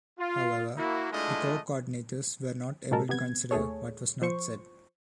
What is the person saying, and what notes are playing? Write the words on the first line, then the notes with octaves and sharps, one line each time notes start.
However, the co-coordinators were not able to consider what was not said.
F4
A#3 E4 F#4
G#3 A3 D4 E4 F4 D#5
A#2 F#3 G#3 A4 A#4
C3 B3 G#6
D#2 A3 G#4 A4 C#5
F3 C5 C#6